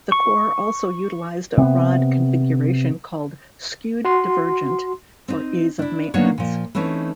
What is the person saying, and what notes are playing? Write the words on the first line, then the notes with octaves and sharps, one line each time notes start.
The core also utilized a rod configuration called "skewed divergent" for ease of maintenance.
C#6
C3 B3
F#4 C6
C4 D#4
D4 E4
F#3 A#3 B3 D4 D#4 C#5
A#2 F3
E3 A3 C4 C#4 D#4